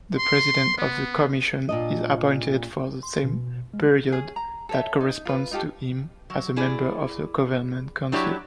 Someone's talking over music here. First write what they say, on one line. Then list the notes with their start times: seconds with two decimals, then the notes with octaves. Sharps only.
The president of the Comission is appointed for the same period that corresponds to him as a member of the Government Council.
0.17 C6
0.78 B3
1.69 A#2 D4 D#5
3.03 C6
3.23 B2
3.74 G#3
4.12 C#4 G#4
4.36 A#5
4.69 A4 C#5 E5
5.01 D#4
5.25 F4 B4
5.51 D#4 F4 G4 A4
6.30 F#3
6.56 E4 G#4 D5
8.12 F#3 D4 E4 G4 C#5 D5